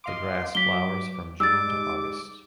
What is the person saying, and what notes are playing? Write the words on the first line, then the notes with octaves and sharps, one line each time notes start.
The grass flowers from June to August.
D#5 F5 C6 D6
F#3 D6 B6 G7
G3 G#3 D#4 D6 E6 A6